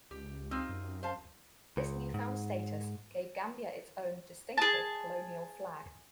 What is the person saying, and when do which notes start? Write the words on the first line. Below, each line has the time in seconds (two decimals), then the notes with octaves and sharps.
This newfound status gave the Gambia its own "distinctive" colonial flag.
0.11 C#2 G4
0.51 C4 D#4 F4
0.69 F#2
1.03 C5 F5 A5
1.77 C#2
2.14 G#2
4.58 G#4 A5